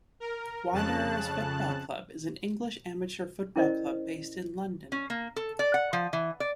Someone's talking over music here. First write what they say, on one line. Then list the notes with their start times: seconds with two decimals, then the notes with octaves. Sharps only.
Wanderers Football Club is an English amateur football club based in London.
0.20 A#4
0.72 F2 C#3 A5 F#6
3.56 C#4 E4 A#4 C5 D5 D#5
4.92 C#4
5.10 A#3
5.36 A4
5.59 D5
5.74 F#5
5.93 F3
6.13 E3
6.40 D5